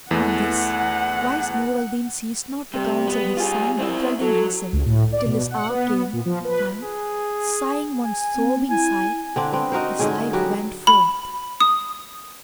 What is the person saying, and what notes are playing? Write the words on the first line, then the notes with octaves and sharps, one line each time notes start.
On this wise Nur al-Din ceased not to counsel his son Badr al-Din Hasan till his hour came and, sighing one sobbing sigh, his life went forth.
E2 E3 A3 F#5
C3 G3
B3
F4 G#4
C4 E4
F#3 A4
C#2
A2
D5
B2
F#5
B3
A#2
F3
B4
G#4
G#5
C4
E4 G#5
D3 C4 D4
B3 C4
D#4 F#4 A#4 C5
G#2 D3 C#4 G#4
F#3 B3 F#4 G4
B5
D#6